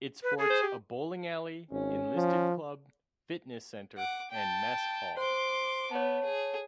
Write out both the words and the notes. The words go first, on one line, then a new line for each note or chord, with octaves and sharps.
It sports a bowling alley, enlisted club, fitness center, and mess hall.
B4
G#4 A4
C5
G4
G#1 C#4
F3
F#5 D6
G5 A5
C5 C6 D6
B3 C#5 A5
G#4